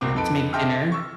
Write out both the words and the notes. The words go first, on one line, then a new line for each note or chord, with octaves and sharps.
to make dinner,
C2 B2 A#3 C4 D6
F2 D#4 A4 B4 D7
A4 D#5 E5 G5 C6 F6
C#6 E6